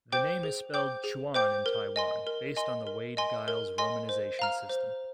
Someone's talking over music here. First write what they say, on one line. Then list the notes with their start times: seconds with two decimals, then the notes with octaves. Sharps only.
The name is spelled Chuan in Taiwan, based on the Wade-Giles romanization system.
0.12 C5 G5 D6 G6
0.43 G#4
0.74 C5 G5 D6 G6
1.04 G#4
1.34 C5 G5 D6 G6
1.66 A#4
1.96 D#5 G#5 C6
2.27 A#4
2.56 D#5 G#5 C6
2.87 A#4
3.17 D#5 G#5 C6
3.48 A#4
3.78 D#5 G#5 C6
4.09 C5
4.39 F5 A#5 F6
4.69 C5